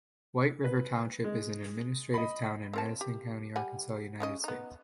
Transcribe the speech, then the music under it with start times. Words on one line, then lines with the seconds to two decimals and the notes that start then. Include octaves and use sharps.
White River Township is an administrative town in Madison County, Arkansas, United States.
0.64 B4
1.24 G#3
2.14 D#5 B5
2.73 C4 A#4 A5
3.01 G4
3.56 G3 F#5 G#5
4.20 C#3 C#4 D#5
4.44 B3 D#4